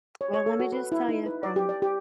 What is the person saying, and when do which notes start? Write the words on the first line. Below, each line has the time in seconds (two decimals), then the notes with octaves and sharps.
Well, let me just tell you from
0.21 C#5
0.34 C#5
0.46 A4
0.60 F#4
0.72 B4
0.92 E4
1.09 D#4
1.26 B4
1.43 D5
1.56 G4
1.69 D5
1.82 G4